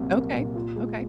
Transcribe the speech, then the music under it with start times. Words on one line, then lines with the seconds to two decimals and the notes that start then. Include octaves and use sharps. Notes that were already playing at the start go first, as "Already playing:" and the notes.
Okay, okay.
Already playing: C2 A#2 F#3 A#3
0.15 A#3
0.34 A#2
0.55 F4
0.76 G#3